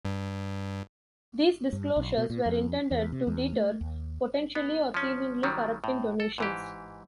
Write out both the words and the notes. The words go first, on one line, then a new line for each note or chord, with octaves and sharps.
These disclosures were intended to deter potentially or seemingly corrupting donations.
G2
G2
B1
B2
A#2
F2
E2
C3
E2
A3
D#2
B3
F3 C#4
D#3 F#3 G3
A2
A4
G#2 E3 G4